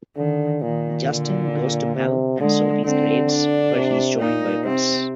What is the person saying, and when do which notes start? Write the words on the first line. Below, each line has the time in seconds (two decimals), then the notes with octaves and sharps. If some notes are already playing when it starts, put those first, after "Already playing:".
Justin goes to Mel and Sophie's graves, where he is joined by Russ.
0.17 D3 D#3
0.62 A#2 D#3
1.06 D3
1.96 C3
2.40 D3 G#3
2.85 D3 C4
3.30 D4
3.74 C3
4.19 A#2 D#4
4.64 C3 C4